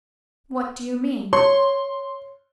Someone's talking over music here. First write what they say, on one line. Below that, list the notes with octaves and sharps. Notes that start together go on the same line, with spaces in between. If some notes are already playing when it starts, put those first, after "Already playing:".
"What do you mean?"
C#5 C6